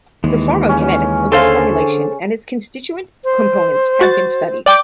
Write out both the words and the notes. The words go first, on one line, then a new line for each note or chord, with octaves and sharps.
The pharmacokinetics of this formulation and its constituent components have been studied.
D#2 E3 G#3
C#3 C#4
D3 A4 C5 F5 G#5
C5
F#4 A6
D5 G5 D6